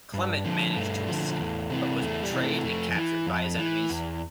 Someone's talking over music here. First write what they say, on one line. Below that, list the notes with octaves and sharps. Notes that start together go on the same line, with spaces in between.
Clement managed to escape, but was betrayed and captured by his enemies.
G2
D3 F3
G2 A3
D3 F3
E2
C3 E3
E2 A3
G3
C3 E3
A3
F2 A3
E3
F2
E3
E2